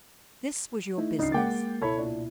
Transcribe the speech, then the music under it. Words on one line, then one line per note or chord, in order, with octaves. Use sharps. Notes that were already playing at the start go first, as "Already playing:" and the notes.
This was your business!
A3 D#4 E4
C#2 D4 D#4 C7
G#3 A#3 F#5 G5 D6 A6
C#2 B2 E4 A4 C#5 B5
A#2 D4